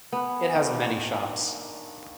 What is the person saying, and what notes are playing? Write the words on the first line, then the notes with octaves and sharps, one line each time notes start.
It has many shops.
B3 G#4 B4
D#3 A#3 D4